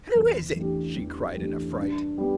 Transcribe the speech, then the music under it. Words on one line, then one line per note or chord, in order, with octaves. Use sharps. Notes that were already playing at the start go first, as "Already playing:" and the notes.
"Who is it?" she cried in affright.
E2
E3 A3 D4 G4
E2
E3 A3 D4 G4
G2
G3 B3